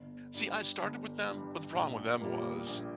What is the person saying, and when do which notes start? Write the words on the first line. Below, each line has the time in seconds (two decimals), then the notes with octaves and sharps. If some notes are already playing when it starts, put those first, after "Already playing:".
See, I started with them, but the problem with them was,
Already playing: G1
0.34 G2 G3
0.80 G1
1.27 G2 G3
1.73 A#1
2.20 A#2 G3 A#3
2.66 A#1